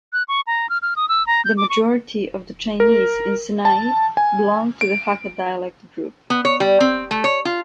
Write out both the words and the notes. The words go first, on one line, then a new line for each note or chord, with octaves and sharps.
The majority of the Chinese in Senai belong to the Hakka dialect group.
F#6
C#6
A#5
F6
F6
D#6
E6
A#5
G6
D6
C#6
A#4
A5
G#5
D7
B3
C#5
G3
C4
A3
C#5
F4